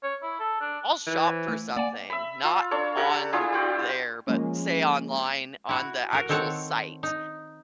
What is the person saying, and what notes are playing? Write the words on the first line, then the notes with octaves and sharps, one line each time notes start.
I'll shop for something not on there, but say online on the actual site,
C#5
E4
A4
D4
E3
C5
A3
A#3 D5 F#5 G#5
E5 B5
F4
D4 A4 C#5
G4 A4 F#5 A#5
D4 E4 F4 G4
E4 F4 G5
F3 G#3 A#3 C#4
E4 F#4
F#4 A#4
D#3 C4 A4 C#5 F5 F#5
D#4